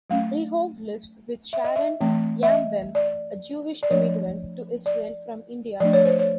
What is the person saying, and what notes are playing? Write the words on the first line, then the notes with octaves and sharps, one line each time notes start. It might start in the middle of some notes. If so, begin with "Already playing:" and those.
Rehov lives with Sharon Yambem, a Jewish immigrant to Israel from India.
F#3 A3 C#4 F5
E5
D#5
E5
E3 A3 C4
E5
D#5
D5
D5
F3 A3 D4 C#5
D5
F3 A3 D4 D5
C#5
C5
C#5